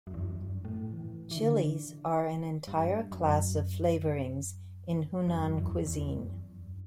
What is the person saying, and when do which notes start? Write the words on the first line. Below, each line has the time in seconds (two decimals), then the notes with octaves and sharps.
Chilies are an entire class of flavourings in Hunan cuisine.
0.07 F#2
0.14 E2
0.21 F#2
0.35 G2
0.65 A2
0.93 E3
1.31 E3
1.37 D3
2.67 G2
3.11 F#2
5.28 F#2
5.37 E2
5.46 F#2
5.57 E2
5.86 E2
6.15 F#2
6.28 E2
6.41 F#2
6.58 G2